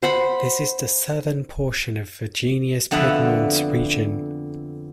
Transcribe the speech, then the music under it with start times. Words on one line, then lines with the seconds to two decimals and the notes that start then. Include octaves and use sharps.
This is the southern portion of Virginia's Piedmont region.
0.03 C5 F#5 B5
2.91 F2 D3 B3 E5 F#5